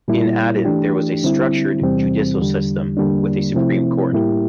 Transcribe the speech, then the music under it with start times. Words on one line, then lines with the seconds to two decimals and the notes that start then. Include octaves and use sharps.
In Aden, there was a structured judicial system with a supreme court.
0.08 A#2 G3 A#3 E4
0.65 E3 A3 D4 G4
1.23 D3 G3 C4 E4
1.81 E2 C3 E3 G3 C4
2.38 E2 D3 G3
2.97 E2 D3 G3 A#3 D4
3.54 C3 F3 A3 C4 E4
4.12 A2 G3 A#3 E4 G4